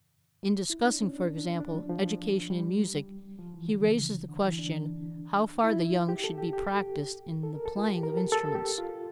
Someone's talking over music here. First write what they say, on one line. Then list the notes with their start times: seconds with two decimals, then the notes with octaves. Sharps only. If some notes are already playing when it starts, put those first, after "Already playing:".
In discussing, for example, education in music he raises the question how far the young should be practiced in the playing of instruments.
0.70 E4
0.85 D4
0.99 C#4
1.14 D4
1.38 D4
1.60 D4
1.74 F3
1.89 F3
2.50 G3
3.39 F3
3.54 E3
3.68 D3
3.84 C#3
4.28 D3
4.44 E3
4.59 D4
5.64 E4
6.09 G4
6.24 A4
6.38 G4
6.53 G4
6.68 G4
7.43 A4
7.55 A#4
7.66 A4
7.77 F4
7.88 G4
8.03 A#4
8.17 A4
8.32 A4
8.55 G4
8.78 F4